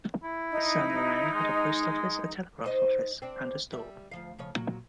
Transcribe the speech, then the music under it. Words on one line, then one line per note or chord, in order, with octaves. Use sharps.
Saint Laurent had a post office, a telegraph office and a store.
E4
D#4
G#3
D#4 C5 D#5
C4 D4
G3 E5
D2 F3 F5
C#3 F3 C#5
A#2 F#3